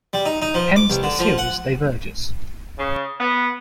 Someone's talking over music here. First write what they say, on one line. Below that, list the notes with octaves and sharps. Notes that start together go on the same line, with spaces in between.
Hence the series diverges.
G3
D#4
D#4
F3
D6
C2
D3
F3
F#5
C#3
B3